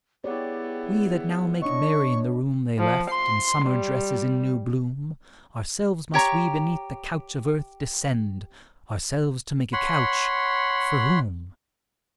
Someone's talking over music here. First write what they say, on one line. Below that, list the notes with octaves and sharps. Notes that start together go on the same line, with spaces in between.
And we, that now make merry in the Room They left, and Summer dresses in new Bloom, Ourselves must we beneath the Couch of Earth Descend, ourselves to make a Couch--for whom?
B3 E4 G4 G#4 C#5 D5
D4 C#5 D#5 C#6
F3
C6
G3
G4 C#5 A#5 C#6
C#5 F#5 B5 C6